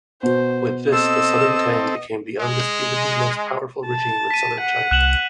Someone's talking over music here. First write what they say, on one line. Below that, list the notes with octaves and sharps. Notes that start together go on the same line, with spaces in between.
With this, Southern Tang became the undisputedly most powerful regime in southern China.
B2 F#4 C5
C4 A4 D#5 E6
G#3
A5
B6 D#7
F#5
C2 F#6 E7 F#7